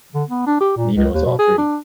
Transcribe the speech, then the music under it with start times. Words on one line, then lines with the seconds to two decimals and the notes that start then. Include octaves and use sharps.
Nino is all three.
0.15 D3
0.29 B3
0.47 D4
0.60 G4
0.77 A#2
0.96 C#2
1.14 D#2
1.25 B2
1.38 G#4
1.58 D4